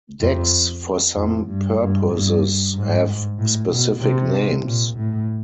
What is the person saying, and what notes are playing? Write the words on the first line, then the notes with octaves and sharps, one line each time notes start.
Decks for some purposes have specific names.
F2
F2
G2
G2
G2
G#2
A2
B2
C3
A#2
A2